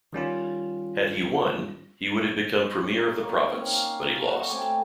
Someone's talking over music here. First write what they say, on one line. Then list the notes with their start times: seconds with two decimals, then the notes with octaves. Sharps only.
Had he won, he would have become premier of the province, but he lost.
0.13 D#3 G3 C#4 F4
2.98 D#4
3.21 A#3 C#5
3.51 C4
3.66 C#4 F5
4.27 F#4 A4 C#5
4.49 A3 C4 G4 G#5